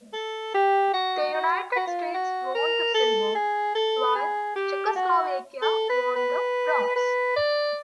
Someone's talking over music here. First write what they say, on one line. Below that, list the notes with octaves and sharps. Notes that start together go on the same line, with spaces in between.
The United States won the silver, while Czechoslovakia won the bronze.
A4
G4
F#4
F#4
F#4
F4
F#4
A#4
A4
G#4
A4
G#4
G4
F#4
A4
B4
B4
B4
D5